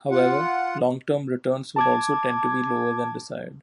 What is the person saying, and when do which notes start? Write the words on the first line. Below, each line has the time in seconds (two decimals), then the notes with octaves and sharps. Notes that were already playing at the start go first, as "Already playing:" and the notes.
However, long-term returns would also tend to be lower than desired.
0.11 F4 F#5
1.76 A5 D6 G#6